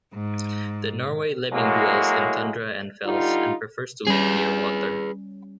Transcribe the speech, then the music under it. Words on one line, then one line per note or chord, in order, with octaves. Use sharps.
The Norway lemming dwells in tundra and fells, and prefers to live near water.
G#2
A2 F#3 G#3 A#3
D3 G3 D#4 F4
G3 C#4 G#4 B4